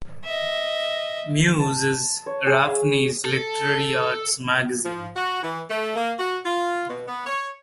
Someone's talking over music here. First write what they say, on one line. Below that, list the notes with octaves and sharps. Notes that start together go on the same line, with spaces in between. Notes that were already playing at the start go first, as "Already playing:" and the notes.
"Muse" is Arapahoe's literary arts magazine.
D#5 E5
A5
C#5
G#4
A4
F3
F#4
E3
A3
A#3
F#4
F4
B2
B3
C#5